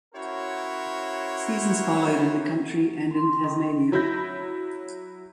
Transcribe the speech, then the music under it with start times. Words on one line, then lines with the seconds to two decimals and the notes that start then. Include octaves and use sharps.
Seasons followed in the country and in Tasmania.
0.14 C#4 E4 F#4 A#4 C5 C#5
3.11 C6
3.44 D#3
3.92 F#3 E4 B5 G6 A#6